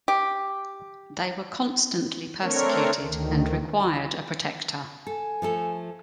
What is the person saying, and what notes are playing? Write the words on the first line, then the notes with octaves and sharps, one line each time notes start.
They were constantly persecuted and required a protector.
G4
A3 C4 D4 A#4 C#5
D2 D#3
A4 G#5
F3 A3 A4